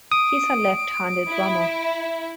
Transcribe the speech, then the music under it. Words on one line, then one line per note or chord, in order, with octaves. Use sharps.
He is a left-handed drummer.
D#6 D7
E4